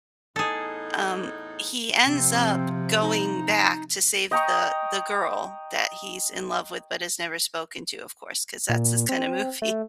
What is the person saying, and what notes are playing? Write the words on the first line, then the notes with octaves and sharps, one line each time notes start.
Um, he ends up going back to save the the girl that he's in love with but has never spoken to, of course, 'cause that's this kind of movie.
E2 A2 D#4 G#4 A4
C3 F3 C4
D#4
D#5 G5 A#5 C#6
A#2
C4
A3